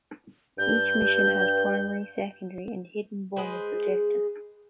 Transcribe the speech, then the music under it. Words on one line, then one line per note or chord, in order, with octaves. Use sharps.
Each mission has primary, secondary, and hidden bonus objectives.
G2 G6
G#3 G#4 B4 C5